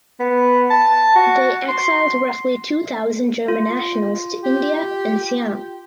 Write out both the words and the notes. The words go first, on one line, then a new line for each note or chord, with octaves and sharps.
They exiled roughly two thousand German nationals to India and Siam.
B3
A5
F#4
C6
F4
G4